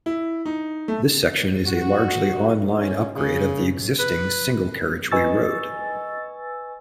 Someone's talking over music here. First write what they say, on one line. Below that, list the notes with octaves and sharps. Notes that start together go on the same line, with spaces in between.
This section is a largely on-line upgrade of the existing single-carriageway road.
E4
D#4
A3
F#4
C#4
C#3
B4
B4 D#5 G#5 C#6 E6 A6